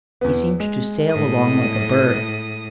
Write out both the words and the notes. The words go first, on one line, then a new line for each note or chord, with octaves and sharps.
He seemed to sail along like a bird.
E2 B3
G#3
A2 D#6